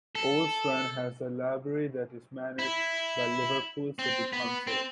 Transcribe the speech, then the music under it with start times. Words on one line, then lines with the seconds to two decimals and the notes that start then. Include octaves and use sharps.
Old Swan has a library that is managed by Liverpool City Council.
0.15 A4
2.59 E4
3.99 C4
4.33 B3
4.67 C4